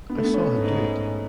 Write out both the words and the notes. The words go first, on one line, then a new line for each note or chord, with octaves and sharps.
I saw him do it.
B3
A3
B3
C#4
G#2